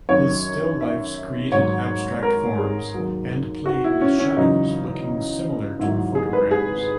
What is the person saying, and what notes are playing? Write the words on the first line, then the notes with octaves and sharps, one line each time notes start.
His still life's created abstract forms and played with shadows looking similar to photograms.
F#2 D#3 F#3 C#5
E5
G#2 D#3 F#3 C#5
A#4
G#4
D#2 D#3 F#3
F#4
E4
C#4
C#4
E2 C#3 F#3 D#4
G#2 D#3 F#3 E4
G#4
B4
G#4